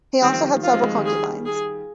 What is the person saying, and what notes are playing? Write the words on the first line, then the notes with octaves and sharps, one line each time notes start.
He also had several concubines.
D#3 G3 C4
F3
D#3 G3
F3
F3 F4
G#3 C4
F3 G#3
D#3 G3
G#4
G#4